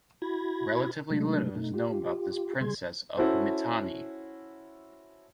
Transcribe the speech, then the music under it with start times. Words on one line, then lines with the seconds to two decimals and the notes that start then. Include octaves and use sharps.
Relatively little is known about this princess of Mitanni.
0.22 E4 F#4 B5 G#6 A#6
1.10 C3 F#3 G#3 A3 D4
1.55 B2 A3 D#4
1.74 F4 G4
2.61 C#3 G3 G#4 C6 G#6
3.17 C#4 E4 F#4 A4 C5